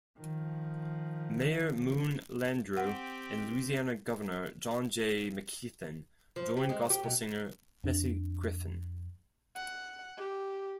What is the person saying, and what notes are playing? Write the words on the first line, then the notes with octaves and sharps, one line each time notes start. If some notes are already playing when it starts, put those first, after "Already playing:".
Mayor Moon Landrieu and Louisiana Governor John J. McKeithen joined gospel singer Bessie Griffin.
D#3 F3
C4 G4 F#5
F3
G4
G#3
G4
B2
F2 D4
F#5
G4